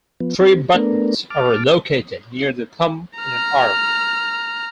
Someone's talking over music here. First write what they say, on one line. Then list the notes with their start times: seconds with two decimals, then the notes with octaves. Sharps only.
Three buttons are located near the thumb in an arc.
0.20 F3 B3
0.40 C4
0.74 A3 B3 D4 A#4
1.30 A5 D6 F6
3.19 A#5 F6